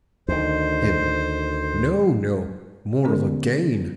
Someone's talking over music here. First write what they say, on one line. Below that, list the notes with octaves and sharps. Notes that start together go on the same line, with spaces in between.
HIM: No, no. More of a gain.
D2 D#3 C5
D3 G#3 B3 C#4 G4 A#4